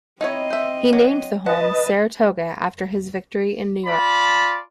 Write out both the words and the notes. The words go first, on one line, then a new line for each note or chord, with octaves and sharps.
He named the home Saratoga after his victory in New York.
C4 D#4 E4 C#5 D#5
C5 E5
F#3
B4 D#5 F#5 A5
F4 D5 A5 B5